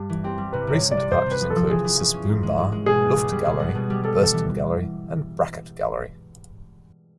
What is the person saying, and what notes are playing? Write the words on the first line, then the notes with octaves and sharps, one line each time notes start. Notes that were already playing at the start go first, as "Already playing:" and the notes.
Recent departures include Sis Boom Bah, Luft Gallery, Burston Gallery and Brackett Gallery.
Already playing: G2 G3
E3
C4 G4
G3
C3 B4
C3
C#5
C3
D5
C3
C3 C5
C3
B4
F3
A4
F3
E3 G#4
E3
C#4
C#4
G#2
G#3
G#3
G#3
B2 G#4
B3
C#2
G3
B2
B3
B2
G3
G3 A4
E3 A4
E3